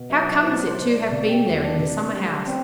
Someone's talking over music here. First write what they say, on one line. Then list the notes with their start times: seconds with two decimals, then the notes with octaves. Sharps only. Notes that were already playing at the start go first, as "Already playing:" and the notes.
How comes it to have been there in the summer-house?
Already playing: B2
0.10 F#3 E5
0.27 E5
0.43 B2 C5
0.67 C5
0.77 B2
0.89 D5
1.11 C3 D5
1.28 G4
1.45 E2 F#4
1.63 D4
1.79 C3
2.13 G3
2.47 C4